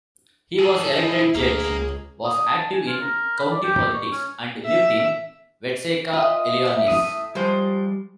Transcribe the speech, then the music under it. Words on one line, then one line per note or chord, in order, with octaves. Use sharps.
He was elected judge, was active in county politics, and lived in Watseka, Illinois.
G#4 A4
E4
D2 A#3 G#4
G#4
C#2
D#6
A5
G#5
F4
A#4
B5
D5
G4
C#6
C#4
E5
F4 D#5 E5
A#2 E5
A2 E5 D#6
F3 G3 G#3 C5